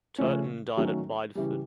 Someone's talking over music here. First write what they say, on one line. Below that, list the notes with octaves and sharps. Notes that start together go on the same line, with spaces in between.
Turton died at Bideford.
C#3 F3 A3 C#4
D#3 F#3 A3 C#4 F#4
C#3 E3 G3